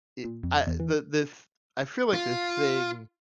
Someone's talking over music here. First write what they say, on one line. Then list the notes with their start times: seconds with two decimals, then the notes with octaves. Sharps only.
I I the the th I feel like the thing
0.25 A#2
0.43 F2
0.67 E2
0.80 E3
2.14 F4